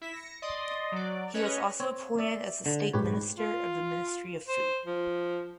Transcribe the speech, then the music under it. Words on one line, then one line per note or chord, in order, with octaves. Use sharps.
He was also appointed as the state minister of the Ministry of Food.
E4 B6 E7
A#6 C#7
D5 D#5 C6 D#6
F#3 D5
C#4 B4 C#5 D#5
C4 C#5
D5 E5
D3
G#2 G4 B4 C#5
F4
C5
F3